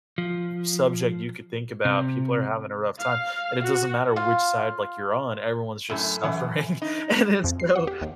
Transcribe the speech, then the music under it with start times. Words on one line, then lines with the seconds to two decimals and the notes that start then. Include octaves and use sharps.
subject you could think about, people are having a rough time, and it doesn't matter which side, like, you're on, everyone's just suffering, and it's so
0.18 F3
1.85 C3
2.98 F5
3.62 F#4
4.16 F4 F5
5.90 F#2 A2
6.23 F#2 E3 F#5
6.82 D#4
7.44 F2
7.60 C7
7.76 F#5
7.87 G4
8.01 D#2